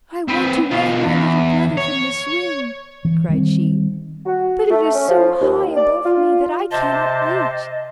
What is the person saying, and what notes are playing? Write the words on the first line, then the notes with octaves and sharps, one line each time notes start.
'I want to lift my little brother from the swing,' cried she, 'but it is so high above me, that I cannot reach.
C4 B4
B2 F4
E2
C#5
E3
D#3 G3 B3 C4
F#4
A3
C#4
F3
D#2
D5
F4
C3 C5 D#5 A5